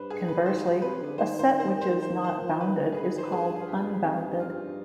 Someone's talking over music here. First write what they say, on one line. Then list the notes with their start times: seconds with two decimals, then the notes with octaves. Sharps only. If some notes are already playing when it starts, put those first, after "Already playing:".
Conversely, a set which is not bounded is called unbounded.
Already playing: G2 B4 C5
0.10 G#4
0.28 B4
0.46 G#2 C5
0.82 C3 B4
1.01 D3
1.18 D#3 C5
1.39 C5
1.60 C5
1.81 C5
1.89 D#3
2.03 C5
2.13 D#3
2.24 C5
2.38 F3
2.61 D#3 B4
2.85 D3
2.92 G#4
2.97 B4
3.08 D#3
3.18 C5
3.25 B4
3.32 G2 G#4
3.60 F4
3.68 G4
4.03 F2 D#4
4.27 G2
4.33 D#4
4.39 F4
4.45 F2
4.51 G2